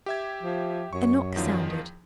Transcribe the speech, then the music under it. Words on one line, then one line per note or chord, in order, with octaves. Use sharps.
A knock sounded.
G4 E5 G#6
F3
F#2 C#6
E2 D#3 F3